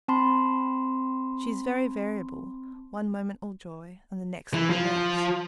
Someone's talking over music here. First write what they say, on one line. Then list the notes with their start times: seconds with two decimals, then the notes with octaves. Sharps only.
"She is very variable--one moment all joy, and the next the reverse."
0.08 C4 A5 B5 C6
4.54 E3
4.70 F3